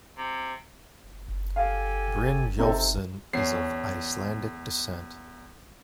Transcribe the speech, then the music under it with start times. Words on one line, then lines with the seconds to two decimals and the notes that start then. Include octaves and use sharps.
Brynjolfsson is of Icelandic descent.
0.18 C3
1.56 G4 A4 F5 G#5
2.59 C3 D#4 A4
3.33 E2 C#4 C7